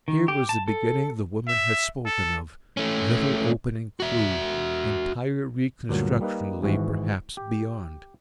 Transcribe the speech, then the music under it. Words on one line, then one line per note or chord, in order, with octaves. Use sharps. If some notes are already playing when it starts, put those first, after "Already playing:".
Here was the beginning the woman had spoken of--little opening clue. Entire reconstruction lay perhaps beyond.
D#3
G4
A5
A4
E5
A4
A3 C#4
F#4 E5
D2 G2 A#2 F#3
G3 A#3 D#4 B4
G#1 G#2 E3 F#4
G4